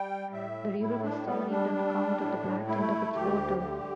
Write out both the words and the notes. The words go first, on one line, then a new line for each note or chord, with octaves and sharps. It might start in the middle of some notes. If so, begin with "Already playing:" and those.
The river was so named on account of the black tint of its water.
Already playing: G3 G5
A2 E5
A2 E4
D4
G3 B3
D4
G3
A2
A3 E4
D2 G4
D3